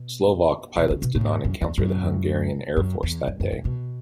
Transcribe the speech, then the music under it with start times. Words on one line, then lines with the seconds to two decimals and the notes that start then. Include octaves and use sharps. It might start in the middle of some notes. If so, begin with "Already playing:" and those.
Slovak pilots did not encounter the Hungarian Air Force that day.
Already playing: B2
0.77 B2
0.90 C#3
1.02 B2
1.15 A2
1.27 G#2
1.44 F#2
1.61 E2
1.78 F#2
2.77 F#2
3.03 E2
3.27 F#2
3.40 F#2
3.52 A2
3.65 B2